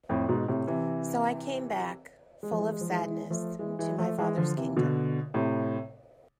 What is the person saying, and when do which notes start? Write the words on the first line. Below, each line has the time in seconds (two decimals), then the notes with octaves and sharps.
So I came back, full of sadness, to my father’s kingdom.
0.09 F2 A2
0.28 G#2 B2
0.48 A2 C3
0.67 C3 E3
2.43 G#3
2.52 F3
2.59 E3 G#3
2.72 G#3
2.81 F3
2.89 E3 G#3
3.01 E3 G#3
3.30 F3 A3
3.59 E3 G#3
3.79 E3 G#3
3.98 F3 A3
4.18 E3 G#3
4.37 D3 F3
4.57 C3 E3
4.77 B2 D3
5.34 A2 C3